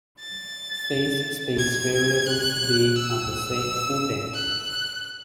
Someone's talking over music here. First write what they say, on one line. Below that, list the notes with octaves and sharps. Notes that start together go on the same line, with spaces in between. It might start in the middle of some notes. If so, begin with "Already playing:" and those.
Phase space variables being on the same footing.
A6
G#6
F#6
E6
F#6